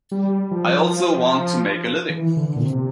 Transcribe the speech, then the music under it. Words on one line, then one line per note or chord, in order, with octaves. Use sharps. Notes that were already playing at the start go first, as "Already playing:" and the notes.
I also want to make a living.
G3
F3
E3
D3
A#2
C3